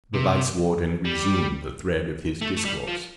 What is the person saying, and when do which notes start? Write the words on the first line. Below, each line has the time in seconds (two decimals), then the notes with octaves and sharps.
The Vice-Warden resumed the thread of his discourse.
0.14 C3
1.05 G3
2.41 A3
2.57 A3
2.65 G3
2.87 F3